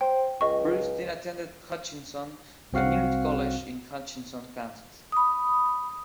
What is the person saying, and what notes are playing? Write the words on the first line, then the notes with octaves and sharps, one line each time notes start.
Bruce then attended Hutchinson Community College in Hutchinson, Kansas.
C5 G5
C#2 D#5 C#6
C2 C4 F#4 F5 F#5
B5 D#6